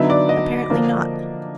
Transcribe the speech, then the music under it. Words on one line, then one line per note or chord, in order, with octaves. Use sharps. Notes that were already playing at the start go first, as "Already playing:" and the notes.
Apparently not.
Already playing: D3 F#3 B3 D#4 E5
D5
D#5
D3 F3 A#3 D4